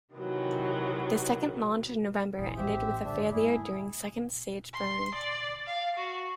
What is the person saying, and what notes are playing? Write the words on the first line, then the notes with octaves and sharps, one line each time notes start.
The second launch in November ended with a failure during second stage burn.
C3 D#3 E3 F#3
F1 A#1 E3 F4 G#4
A1 G4 C5 E5
G2 D3 D4 E5
G#2 A#3 E4 G#4
C6
D5
F5
F#4